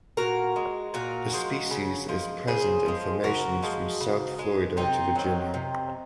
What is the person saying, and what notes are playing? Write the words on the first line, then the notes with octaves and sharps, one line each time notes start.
The species is present in formations from south Florida to Virginia.
A#2 F#4 A#4
G#3
A#2 F#4 A#4
F3 G#3
C#3
F3 G#3
C#3 G#4 C5
F3 G#3
C#3 F#4 A#4
F3 G#3
C#3
G#3
C3 C4 D#4
D#3 F#3
C3